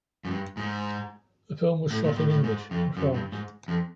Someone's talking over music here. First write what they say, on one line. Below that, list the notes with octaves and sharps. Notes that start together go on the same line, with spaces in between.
The film was shot in English in France.
F#2
G2
G#2
A2
A#2
A2
A2
G#2
F2
F#2
G2
G#2
F2